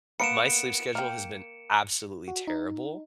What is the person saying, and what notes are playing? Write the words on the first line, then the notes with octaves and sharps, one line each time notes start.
my sleep schedule has been absolutely terrible,
A#3 B3 B4 C#7 D7 E7
A#3 G5
F#4
D#4